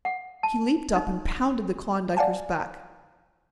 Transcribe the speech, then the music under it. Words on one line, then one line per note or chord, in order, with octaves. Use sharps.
He leaped up and pounded the Klondiker's back.
F#5
A5
D#4
D5 F5 F#5 G#5 A5